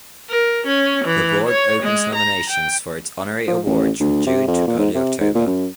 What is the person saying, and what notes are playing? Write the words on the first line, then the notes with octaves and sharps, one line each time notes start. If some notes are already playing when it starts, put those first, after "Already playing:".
The Board opens nominations for its honorary awards from June to early October.
A#4
C#4
E3
C#5
G#3
A#5
G5
F3
A1
D2
C3
F2
A#2
G#2
C3
G#2
A#2
F#2